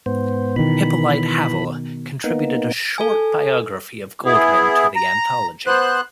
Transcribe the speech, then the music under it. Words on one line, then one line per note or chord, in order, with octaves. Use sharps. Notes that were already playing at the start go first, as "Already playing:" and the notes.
Hippolyte Havel contributed a short biography of Goldman to the anthology.
G#2 B3 C5
B2 D#3 E3 B5
A#3 B3 D#4
A4 G#5
B3 E4 G#4
A#5
B3 C5 F#6